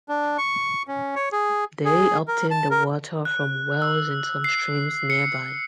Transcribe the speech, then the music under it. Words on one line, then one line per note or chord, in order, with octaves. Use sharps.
They obtain the water from wells and some streams nearby.
D4
C#6
C#4
C#5
G#4
G#4
A#4
A5
A#4
F#6
E6
C7
C#7